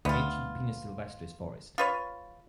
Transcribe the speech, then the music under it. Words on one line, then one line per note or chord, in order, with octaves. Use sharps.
Ancient "Pinus sylvestris" forest.
D2 B3 F4
F4 B4 C#5